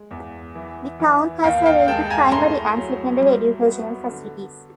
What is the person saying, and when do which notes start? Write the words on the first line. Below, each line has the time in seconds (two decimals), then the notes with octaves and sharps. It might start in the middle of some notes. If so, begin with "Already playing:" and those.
The town has a range of primary and secondary educational facilities.
Already playing: G#3
0.11 E2
0.55 E3
1.00 E3
1.44 D#2 F5 G5
1.66 F5 G5
1.88 G#3 G5 A5
2.10 G#5 A#5
2.32 A2 A#5 C6
2.77 F#3
3.21 G3
3.66 B3
4.10 D3